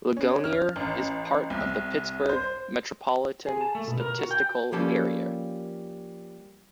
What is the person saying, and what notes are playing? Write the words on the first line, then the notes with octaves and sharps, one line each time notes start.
Ligonier is part of the Pittsburgh Metropolitan Statistical Area.
C#4
F6
A1
C2
C5
G#4
A5
A3
B2
A#4
F#4
G5
F3 G3 A#3 C#4 G4 A4